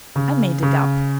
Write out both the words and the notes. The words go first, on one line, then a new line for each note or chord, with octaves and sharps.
I made it up.
C#3
C#3